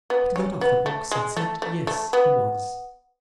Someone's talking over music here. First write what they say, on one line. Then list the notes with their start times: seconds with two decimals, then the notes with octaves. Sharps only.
Kit got off the box, and said yes, he was.
0.10 B3
0.36 C#4
0.61 B3
0.86 A3
1.11 G#3
1.37 A3
1.62 A3
1.87 A3
2.13 B3